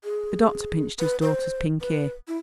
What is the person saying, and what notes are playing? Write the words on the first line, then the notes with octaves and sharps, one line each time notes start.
The doctor pinched his daughter's pink ear.
G#4
B4
C5
B4
E4